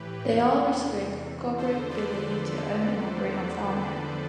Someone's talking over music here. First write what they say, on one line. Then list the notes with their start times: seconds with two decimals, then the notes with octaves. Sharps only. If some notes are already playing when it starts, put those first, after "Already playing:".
They all restrict corporate ability to own and operate on farmland.
Already playing: A2 E3 G4 B4
0.30 E2 C3 E3
1.57 E2 D3 F3 A4 C5
1.89 B4 D5